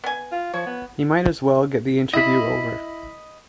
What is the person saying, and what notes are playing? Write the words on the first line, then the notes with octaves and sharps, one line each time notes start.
He might as well get the interview over.
B3 G#5
F4
F3 C#5
B3
E4 D#5 B5